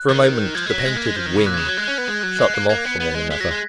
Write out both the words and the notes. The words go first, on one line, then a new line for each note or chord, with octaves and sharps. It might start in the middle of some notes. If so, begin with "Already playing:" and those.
For a moment the painted "wing" shut them off from one another.
Already playing: F#6
D#3
F3 G#6
G#3
F#3 B6
A#6
G#3 G#6
A#3
G#3
F3
D#3
C#3
A#2 F#6
G#6
C#3 F#6
F#3 G#6
G#3 F#6
G#6
C#4 F#6
B3 G#6
G#3 F#6
G#6
F#3 F#6
G#6
F#6
G#3 G#6
A#3 F#6
A#3 G#6
B3
B3
G#3
G#3 B6
F#3 A#6
G#3 G#6